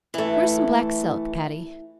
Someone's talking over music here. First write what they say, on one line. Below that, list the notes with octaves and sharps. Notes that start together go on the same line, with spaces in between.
"Where's some black silk, Patty?"
E3 A3